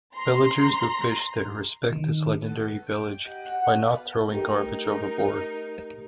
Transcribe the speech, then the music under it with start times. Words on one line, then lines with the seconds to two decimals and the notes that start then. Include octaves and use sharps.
Villagers who fish there respect this legendary village by not throwing garbage overboard.
0.16 A#5 C6
1.92 D#3
2.44 B3 A4
2.82 C#5 G5
3.24 D#4 G4 F#5 G#5
3.45 F#4 B4 C#5 F#5
3.84 B3 B4 F5
4.30 A3 D#4 G4 A#4